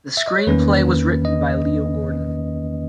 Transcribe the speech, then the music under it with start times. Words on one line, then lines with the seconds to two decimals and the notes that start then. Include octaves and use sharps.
The screenplay was written by Leo Gordon.
0.17 E5
0.28 D#5
0.38 C#5
0.47 E2 D#3 A#3 C#4 B4
1.25 D#5